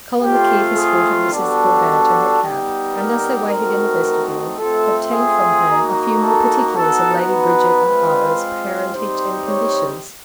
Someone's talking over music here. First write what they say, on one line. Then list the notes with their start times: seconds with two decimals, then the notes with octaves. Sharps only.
Colin McKeith escorted Mrs Gildea to her cab and as they waited in the vestibule, obtained from her a few more particulars of Lady Bridget O'Hara's parentage and conditions.
0.22 A3 C4 F4 G4
0.77 G#4
1.31 G3 B3 D4 F#4 A4
2.40 G3 B3 D#4 G4
2.95 A#4
3.49 A3 C4 D#4 F#4 A#4
4.58 A3 C4 F4 A4
5.12 G#4
5.67 A#3 D#4 F#4
6.21 A4
6.76 B3 D#4 F#4 A4
7.30 B4
7.85 G#3 C4 F4
8.94 G3 C4 D#4 G4 C5
9.48 C#5